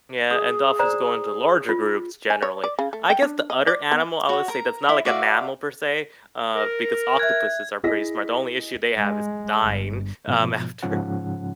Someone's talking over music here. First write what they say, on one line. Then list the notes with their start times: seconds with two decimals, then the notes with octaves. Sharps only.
Yeah, and dolphins go into larger groups generally. I guess the other animal, I would say, that's not like a mammal per se, uh because octopuses are pretty smart, the only issue they have is dying, um, after.
0.31 G#4 D#6
0.79 C5 D5 A#5
1.69 F4
2.30 G#5
2.42 C#5
2.64 D5
2.79 C#3
2.93 A3
3.10 G5
3.22 D4
3.50 D#5
3.67 D5
3.92 B3
4.29 F#4 C#5
4.48 A#4 A#5
4.89 E4
5.05 F#4 D5 E5 F5
6.55 A#4
7.19 E5 F#6 G#6
7.83 E4 G#4 D#5 A#6 B6
8.98 G#3
9.63 G1
10.28 G#2 B2 F3
10.83 G#2 C#3 F3 C#4 F#5